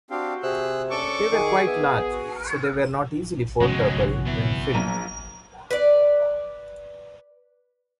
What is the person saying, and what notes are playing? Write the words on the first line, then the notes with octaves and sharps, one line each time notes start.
They were quite large, so they were not easily portable when filled.
C4 D4 F#4 G4 F5
C3 G#4 E6 F#6
C#4 D4 A4 C#6 D6
D#3 G#4
B3 E5
F#4
G1 C3 F3 G#3 B3 C#4 F#4
B3 E4
A#1 F#3 A#3 A#5 D#7
B4 D5